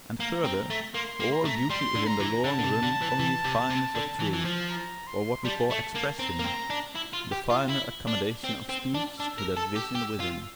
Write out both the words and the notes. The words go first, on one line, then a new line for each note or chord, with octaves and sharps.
And further, all beauty is in the long run only fineness of truth, or what we call expression, the finer accommodation of speech to that vision within.
A#3 A#5
C4
A3
A#3 C6
A#3
A#5
A3
G3 C6
D3
A#5
E3
D3 A5
D3
C3
D3
E3
E3
C3
C3
D3
E3
E3
F3
A#5
C6
G3 A5
A3
A#3
C4 A#5
A#3
C4
D4
E4
F4
G4
F4
E4
D4
C4
C4
D4
D4 E6
A#4
A4
G4
G4
F4